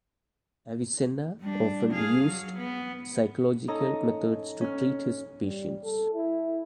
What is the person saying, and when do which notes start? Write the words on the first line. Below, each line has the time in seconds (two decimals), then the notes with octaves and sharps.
Avicenna often used psychological methods to treat his patients.
1.41 G3 D4
1.92 G#4 F5
2.27 F#3
2.58 B3
3.68 C#4 D#4 A4 D#5 A#5
4.61 C#4 F6
5.44 G3
5.84 A4
6.14 E4